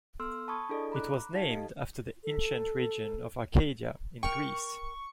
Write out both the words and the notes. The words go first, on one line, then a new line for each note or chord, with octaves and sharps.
It was named after the ancient region of Arcadia, in Greece.
B3 A4 C6 E6 F6
A5 B5 C#6 D#6 G#6
D4 E4 G#4 A4 D5 D#5
A#5 B5 D6 F#6
D#4 G4 F5 A5 G#6
A4 D#5
A4
A#4 G5 C#6